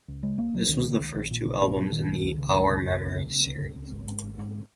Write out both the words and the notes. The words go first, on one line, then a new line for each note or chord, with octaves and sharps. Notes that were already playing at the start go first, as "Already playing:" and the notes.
This was the first of two albums in the "Our Memories" series.
C#2
C#3 G#3
C#2 A#3
C#2 F#3
C#2 D#3
C#3
C#2
A#1
A#2
A#1
A#2
A#2 F#3
A#2 D#3
C#2
C#2
C#3
C#2
C#3
C#2
C#2
C#3
C#3
C#2
C#2
C#2
G#1
G#2
G#1
G#2